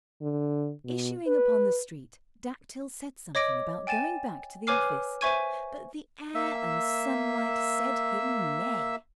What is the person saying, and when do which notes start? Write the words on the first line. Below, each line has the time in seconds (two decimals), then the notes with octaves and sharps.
Issuing upon the street, Dactyl said something about going back to the office, but the air and sunlight said him nay.
0.22 D3
0.85 B2
1.27 B4
3.35 C#5 D#5 D6 A#6 D7
3.87 G5 G#5 A6 E7
4.67 B4 C#5 G#5 D6 F6 C7
5.21 C5 E5 G#5 C#6 G#6 D#7
6.35 A#3 E5 E6